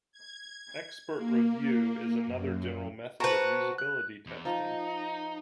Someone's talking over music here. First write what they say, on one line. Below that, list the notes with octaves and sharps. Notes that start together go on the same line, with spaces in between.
Expert review is another general method of usability testing.
G#6
A#3
F#2
F#4 B4 C5 A5 A#5
F#6
E2
F3 D#4 A#5